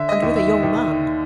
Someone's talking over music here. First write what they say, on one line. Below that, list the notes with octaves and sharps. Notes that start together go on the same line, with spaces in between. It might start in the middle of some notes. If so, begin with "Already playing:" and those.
'And with a young man?'
Already playing: D3 E5
D#5
D#2
E5
D#2